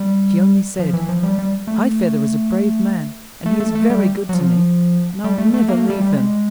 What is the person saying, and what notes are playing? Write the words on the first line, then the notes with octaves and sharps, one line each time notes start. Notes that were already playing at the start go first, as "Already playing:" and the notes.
But she only said, "High-feather is a brave man, and he is very good to me, and I will never leave him."
Already playing: G3
F3
E3
F3
G3
G3
A3
A3
A3
A3
G3
F#3
F3
G3
A3
A3
A#3
A3
G3
G3
G#3